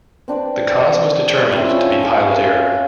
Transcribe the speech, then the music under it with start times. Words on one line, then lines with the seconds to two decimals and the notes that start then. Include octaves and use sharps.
The cause was determined to be pilot error.
0.28 C4 D4 B4 D5
1.52 C4 E4
1.68 C#4 F4 A4
2.00 F4 G#4